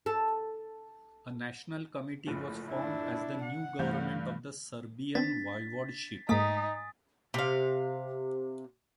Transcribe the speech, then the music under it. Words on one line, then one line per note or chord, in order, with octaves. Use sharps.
A National committee was formed as the new government of the "Serbian Voivodship".
A4
F#1 A2 F3
D4 E4
F#5
G2 E3 G3 A3 F5 G6
B3 C4 D4 A6 B6
G#2 A3 A#3 D#4 G#5 D#6 A6 B6
C3 F5